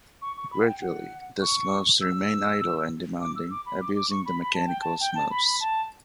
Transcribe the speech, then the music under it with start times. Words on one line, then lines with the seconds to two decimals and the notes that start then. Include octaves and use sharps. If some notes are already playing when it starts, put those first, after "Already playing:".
Gradually, the Smurfs remain idle and demanding, abusing the mechanical Smurfs.
0.22 C#6
0.37 C#6
0.51 B5
0.62 F#5
0.66 G5
0.82 F#5
1.41 C#6
2.01 E6
3.21 D6
3.36 E6
3.51 D6
3.66 B5
3.81 D6
3.96 D6
4.11 C#6
4.26 B5
4.41 B5
4.54 A5
4.67 G5
4.81 A5
5.00 G5
5.15 A5
5.30 B5
5.46 B5
5.60 A5